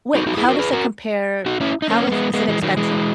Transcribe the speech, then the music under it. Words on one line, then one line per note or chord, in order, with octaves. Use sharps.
Wait, how does it compare? How is is it expensive?
D#4 F#4
D#4 F#4
E4 G#4
F#4 A#4
C#5
G#4 B4
F#4 A#4
D#4 F#4
C#4 E4
D#4
A#3 C#4
A#3
G#3 B3
G#3 B3
E3 G#3
D#3 F#3
E3 G#3